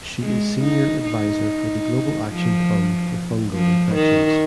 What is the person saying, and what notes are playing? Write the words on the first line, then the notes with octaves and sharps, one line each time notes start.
She is senior advisor for the Global Action Fund for Fungal Infections.
G#3
D#4
D#4
F3
F3
D#3